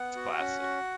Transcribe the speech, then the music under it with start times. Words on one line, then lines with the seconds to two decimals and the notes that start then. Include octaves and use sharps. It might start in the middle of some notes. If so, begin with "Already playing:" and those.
It's classic.
Already playing: B3 F#5
0.16 F#4
0.39 C#4
0.62 F#4